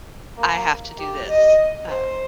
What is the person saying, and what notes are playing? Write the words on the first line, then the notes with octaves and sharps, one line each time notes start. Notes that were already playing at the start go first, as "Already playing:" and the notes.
I have to do this. Um,
A#3
G4
D#5
C5